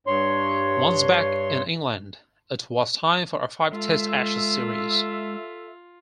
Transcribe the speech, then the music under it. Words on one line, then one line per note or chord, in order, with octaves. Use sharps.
Once back in England, it was time for a five-Test Ashes series.
G2 C#5 C6
G#3 F4 A4 E5